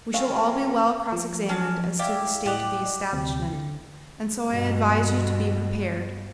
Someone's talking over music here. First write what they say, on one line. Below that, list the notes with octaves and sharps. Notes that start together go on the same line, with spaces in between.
We shall all be well cross-examined as to the state of the establishment; and so I advise you to be prepared.
F3 A3 C4 C#4 F4 A4 A#4 F5
F3
C#4 D4
E4 G4 D5 F5
A2 G4 D5 D#5 F#5
D2 C3
D3
G2 B2